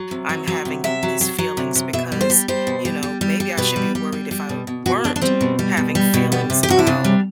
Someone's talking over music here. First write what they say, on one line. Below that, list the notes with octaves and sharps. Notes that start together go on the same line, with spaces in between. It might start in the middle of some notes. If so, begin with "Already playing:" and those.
I'm having th these feelings because, you know, maybe I should be worried if I weren't having feelings about,
Already playing: F#3
C3
F#3
F#3
C3
C3 E5
F#3
F#3
F#3
C3
C3
B2 E5
G3
C5
G3
G3 C5
B2
G3
G3
G3
G3
B2 B4
G3
G3
G3
G3
B2
B2
B2 F#4
B2 D4
D4
G3 C4
B2
G3
B2
G3
B2
G3 B3
C3
G4
C3 F#4
E4
C3 D4
G3